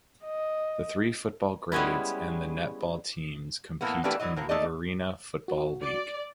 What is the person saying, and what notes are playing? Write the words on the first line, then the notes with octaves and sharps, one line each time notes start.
The three football grades and the netball teams compete in the Riverina Football League.
D#5
G3 G#3 B3 C#4 E4
A2 E3 A#3 B3
E3 A3 A#3 D4 G4 B4
D3 E3 F#3 D#5
A2 A#3 B3
A3 D#4 A4 D5 D#5
F#4
D5